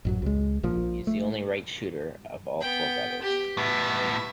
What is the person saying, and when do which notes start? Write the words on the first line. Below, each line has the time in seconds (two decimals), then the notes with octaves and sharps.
He is the only right shooter of all four brothers.
0.05 A1 F#2 F#3
0.22 C#2 G#3
0.63 A#1 A#2 F3
1.07 A3
2.61 B3 G5
3.22 G4
3.57 A2 B3 E5